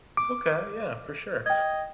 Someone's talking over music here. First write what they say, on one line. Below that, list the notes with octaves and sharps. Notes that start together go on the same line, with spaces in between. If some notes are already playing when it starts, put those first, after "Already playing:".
Okay, yeah, for sure.
D6
D#5 G5 G#6